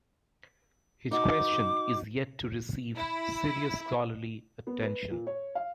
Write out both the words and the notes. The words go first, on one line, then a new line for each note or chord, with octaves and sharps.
His question is yet to receive serious scholarly attention.
D#4 F#4 D6
E4
B3
B4
A#2
C#5
F5